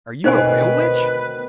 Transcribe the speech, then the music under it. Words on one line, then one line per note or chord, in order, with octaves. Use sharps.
"Are you a real witch?"
D2 B2 D#3 C4 D#4 B4 C5 G#5